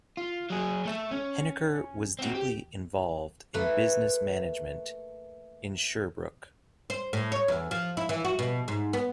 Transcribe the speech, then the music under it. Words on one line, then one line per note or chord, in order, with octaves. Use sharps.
Heneker was deeply involved in business management in Sherbrooke.
F4
F#3 G#4
A3 E5
C#4
C4 F#4
G4
A3 A#3 B4
C5
A2
C#5
E2
F3
E4
E3
F#4
B2
G#2
B3